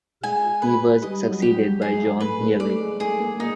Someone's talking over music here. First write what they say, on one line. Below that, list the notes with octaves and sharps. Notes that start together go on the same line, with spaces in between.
He was succeeded by John Healey.
G#3 G#5
B4
G3 D#5
F#3
G4
G3
G#3 G#4
G#3
A3 B4
A3
A3 D5
G#3
A3 G#4
A#3
A#3 D#4